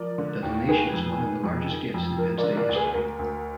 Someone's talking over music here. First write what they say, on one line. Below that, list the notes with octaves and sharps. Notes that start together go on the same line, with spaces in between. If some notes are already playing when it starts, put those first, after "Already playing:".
The donation is one of the largest gifts in Penn State history.
Already playing: F3 A#4 D5
D3
D#2
D#3 G#4 B4
F2
D#3
F2
D#3
F2
F3 A#4
A#4 D5
D3
A#4 D5
D2
G#4 B4
D2 A#4
D2